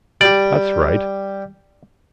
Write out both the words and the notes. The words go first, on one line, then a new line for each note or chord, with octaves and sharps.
That's right.
G3 G4 D5